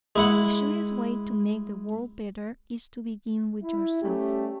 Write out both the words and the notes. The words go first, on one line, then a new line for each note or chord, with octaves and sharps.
The surest way to make the world better is to begin with yourself.
G#3 E4 F#5
E4
G3 A3 C#4 G4